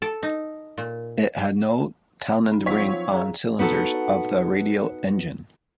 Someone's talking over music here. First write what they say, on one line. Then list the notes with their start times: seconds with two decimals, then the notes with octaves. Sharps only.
It had no Townend ring on cylinders of the radial engine.
0.02 A4
0.23 D#4
0.78 A#2
2.52 D#4 B5
2.66 F3 F#3 C4 F4 C#5 B6
3.12 G#4 F5 A#5
3.59 B3 D#4 F#4 A4